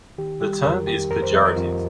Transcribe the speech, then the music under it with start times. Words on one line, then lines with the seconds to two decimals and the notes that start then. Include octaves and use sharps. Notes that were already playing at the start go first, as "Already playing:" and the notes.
The term is pejorative.
0.18 D#3 G4
0.41 G3 G4
0.64 F2 A#4
0.87 D#3 G4
1.11 F2 A#4
1.22 C5
1.34 F2 D#5
1.45 A#4
1.56 F2 F4